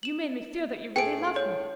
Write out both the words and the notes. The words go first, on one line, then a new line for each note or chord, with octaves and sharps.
You made me feel that you really loved me.
E7 F#7
A2 G#4 A4 G5 D7
C#5